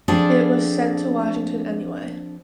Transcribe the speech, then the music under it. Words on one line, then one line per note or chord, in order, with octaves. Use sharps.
It was sent to Washington anyway.
F3 C4 D4 G#4 A4 D5